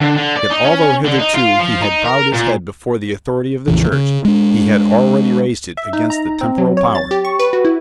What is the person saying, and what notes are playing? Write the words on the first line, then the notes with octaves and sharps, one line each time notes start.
Yet, although hitherto he had bowed his head before the authority of the Church, he had already raised it against the temporal power.
D3
D3
D5
D#4
C#4
D3
D#4
F4
F3
D#4
A#4
A#2
A#1 F2 C#3 E3
C#3
G#3 D4
E5
D#4
A#5
C4
F#3
C#5
A6
G4
C#6
B4
F#4
E4